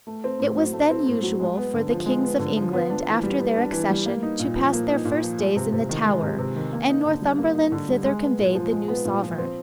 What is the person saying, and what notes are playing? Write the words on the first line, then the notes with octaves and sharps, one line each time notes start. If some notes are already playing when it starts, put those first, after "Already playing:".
It was then usual for the kings of England, after their accession, to pass their first days in the Tower, and Northumberland thither conveyed the new sovereign.
A3
C4
A2
F#3
A3
C4
A2
F#3
G#3
B3
D3
F3
G#3
B3
D3
F3
B3
D4
E3
G3
B3
D4
E3
G3
A#3
D#4
A#2
F3
A#3
D#4
A#2
F3
G#3
C3
C3
D#3
G#3
C3
C3
D#3
A#3
D#4
D3
G3
A#3
D#4
D3
G3
G#3
B3
A#2
F3
G#3
B3
A#2
F3
C4